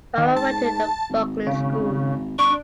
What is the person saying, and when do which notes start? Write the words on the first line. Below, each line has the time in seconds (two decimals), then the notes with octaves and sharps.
Farrar went to The Buckley School.
0.17 D#3
0.36 G#2 A5
1.10 G#1
1.46 C#3
2.39 G#1 D4 C#6